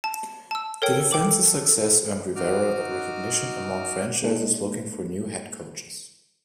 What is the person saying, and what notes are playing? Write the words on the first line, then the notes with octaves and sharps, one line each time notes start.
The defense's success earned Rivera recognition among franchises looking for new head coaches.
A5
A5 E6
A4 A#4 C#5 G5
G5 D6 F#7
D#4 F#4 D6 F6
G#3 A#3 D#4 A4